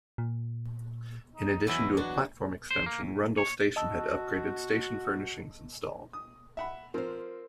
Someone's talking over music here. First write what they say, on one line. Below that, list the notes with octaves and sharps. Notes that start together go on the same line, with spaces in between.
In addition to a platform extension, Rundle station had upgraded station furnishings installed.
A#2
D#4
E2 F#3 E4 D#5
D4 F#4
C5
A#3
F#2
C#5
F#4 D#5 A5 E6
D#6
E5 F#5 B5
F3 C4 A#4 C5